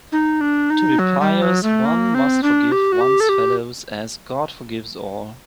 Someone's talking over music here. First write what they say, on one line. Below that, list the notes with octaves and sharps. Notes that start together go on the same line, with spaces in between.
To be pious one must forgive one's fellows as God forgives all.
D#4
D4
D#4
F#3
G3
F#3
A3
A#3
C4
D4
G4
F#4
G4
A4
G4